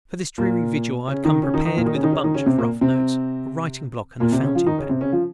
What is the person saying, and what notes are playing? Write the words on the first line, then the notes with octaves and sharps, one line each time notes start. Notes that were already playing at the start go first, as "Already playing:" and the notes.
For this dreary vigil I had come prepared with a bunch of rough notes, a writing-block, and a fountain pen.
A#2 A#3
C#3 C#4
D#3 D#4
C#3 C#4
D#3 D#4
D#3 D#4
A#2 A#3
D#3 D#4
C#3 C#4
D#3 D#4
C#3 C#4
D#3 D#4
C#3 C#4
C3 C4
A#2 A#3
C3 C4
A#2 A#3
C3 C4
C#3 C#4
F3 F4
D#3 D#4
C#3 C#4
C3 C4
C#3 C#4
F3 F4